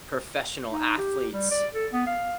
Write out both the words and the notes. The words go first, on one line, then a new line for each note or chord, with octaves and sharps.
professional athletes
D#4
G4
G3
D5
A4
B3
F5